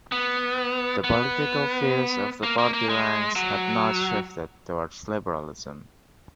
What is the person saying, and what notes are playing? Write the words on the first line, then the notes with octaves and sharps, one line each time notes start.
The political views of the party ranks had not shifted towards liberalism.
B3
B3
A#3
A#3
A#3
G#3
F#3